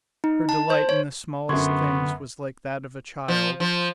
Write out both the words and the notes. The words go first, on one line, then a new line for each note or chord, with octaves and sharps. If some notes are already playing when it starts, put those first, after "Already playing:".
Her delight in the smallest things was like that of a child.
D#4
A5
C5
C#5
F#2 D3 B3 C6 C#6 G#6
F3
F3